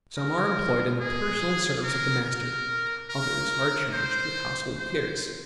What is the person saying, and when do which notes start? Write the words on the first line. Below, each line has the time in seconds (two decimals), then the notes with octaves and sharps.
Some are employed in the personal service of the master; others are charged with household cares.
0.17 A#4
1.01 G#4
1.83 A#4
2.26 A#4
3.09 A#4
3.93 C5
4.77 C5